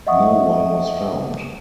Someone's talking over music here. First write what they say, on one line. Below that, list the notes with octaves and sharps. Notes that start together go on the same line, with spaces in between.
No one was found.
D#5 E5 F#5 C#6 D#6